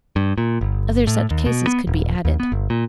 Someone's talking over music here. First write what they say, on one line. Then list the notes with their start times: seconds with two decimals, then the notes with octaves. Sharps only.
Other such cases could be added.
0.16 G2
0.38 A#2
0.61 G1
1.07 A2
1.31 D#2
1.46 B2
1.67 B3
1.87 D#1
2.25 D#2
2.40 B3
2.52 G1
2.70 A#2